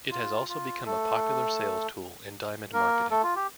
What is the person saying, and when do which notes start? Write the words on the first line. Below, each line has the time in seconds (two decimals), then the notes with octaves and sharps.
It has also become a popular sales tool in diamond marketing.
0.11 F4
0.49 F4
0.86 A3 A4
2.73 A#3 A#4
3.11 A3 A4
3.23 F4
3.36 G4